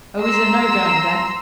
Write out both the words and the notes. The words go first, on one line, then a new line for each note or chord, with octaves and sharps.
Oh, is there no going back?'
A#5 C6 E6